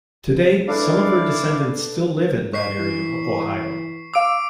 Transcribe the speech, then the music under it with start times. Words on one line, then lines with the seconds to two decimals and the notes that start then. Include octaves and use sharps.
Today, some of her descendants still live in that area of Ohio.
0.68 D4 E4 A4 B4 D5 F5
2.54 C#6 B6 C7
2.78 E3
4.14 F5 D6 E6 D7